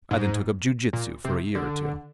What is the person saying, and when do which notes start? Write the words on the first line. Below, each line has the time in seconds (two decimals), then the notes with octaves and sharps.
I then took up jiu-jitsu for a year or two.
0.11 G#2
0.93 A#2
1.25 C3
1.55 D3